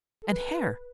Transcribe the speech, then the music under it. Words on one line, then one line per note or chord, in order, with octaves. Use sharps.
And hair.
A4
B4